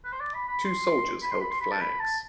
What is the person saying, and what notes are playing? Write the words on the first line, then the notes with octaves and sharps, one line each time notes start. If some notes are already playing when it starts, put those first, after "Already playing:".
Two soldiers held flags.
B4
C5
D5
B5
B5
C6
B5
C6
B5
C6
B5
A5
B5
A5